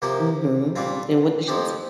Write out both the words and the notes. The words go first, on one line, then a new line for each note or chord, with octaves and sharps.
Mhm. And what did she say?
C3 F3 A#3 G4
A#2 G3 C4 F4
F2 F3 C4 G4